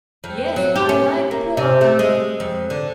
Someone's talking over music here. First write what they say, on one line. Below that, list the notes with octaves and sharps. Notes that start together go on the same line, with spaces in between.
Yes, I like Por ...
F2
F#3
G4
C#4
A#3
C3
A3
G#3
F2
D3